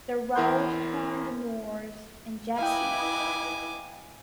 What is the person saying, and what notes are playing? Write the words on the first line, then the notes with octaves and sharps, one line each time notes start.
The road turned north in Jessie.
E2 E4 A#4 C6 G6
E4 B4 D#5 F5 G5 G#5 D6